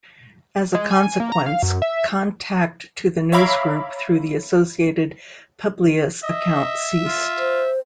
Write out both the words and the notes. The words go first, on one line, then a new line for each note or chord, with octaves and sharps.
As a consequence, contact to the newsgroup through the associated Publius account ceased.
G#3
G#5
A#3
A#5
F5
F#2
E5
C#5 E5 F5 A#5 B5 D6
D#5 E5
F4
C5